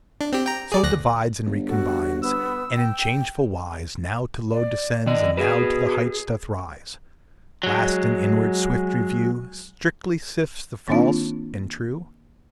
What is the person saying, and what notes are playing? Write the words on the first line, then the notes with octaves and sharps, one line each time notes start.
So divides and recombines, And in changeful wise Now to low descends, and now To the height doth rise; Last in inward swift review Strictly sifts the false and true?
D4
C4 G4
G5 A#5
G#4 D5
D2 F#6 A#6
G1
F#4 A4
B3 E6
G5
D5
D#3 D5 D#5
F#4 G#4 B4
F#3 G#3
D#3 A#3 C4 D4 D#4 F4